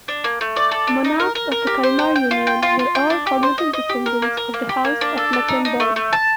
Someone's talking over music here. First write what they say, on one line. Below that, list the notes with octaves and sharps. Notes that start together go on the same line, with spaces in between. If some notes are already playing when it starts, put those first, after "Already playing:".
Monarchs of the Kalmar union were all cognatic descendants of the House of Mecklenburg.
D4
A#3
A3
D5
A4
D4
D#4
A#4
A#4
A#4
G4
C5
G5
G5
F4
G5
F4
F4
G5
D4
G4
C5
D#5
D#5
G4
A#4
A#3
A#4
A#3
G4
A#3
D4
A4
D4
D#4
D#4
A3
A3
A5